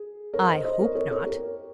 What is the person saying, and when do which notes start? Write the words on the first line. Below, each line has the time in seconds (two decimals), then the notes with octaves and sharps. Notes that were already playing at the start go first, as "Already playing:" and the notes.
"I hope not."
Already playing: G#4
0.33 A#4 C#5
0.49 C5 D#5
0.65 C5 D#5
0.80 A#4 C#5
0.95 A#4 C#5
1.11 A#4 C#5
1.26 G4 A#4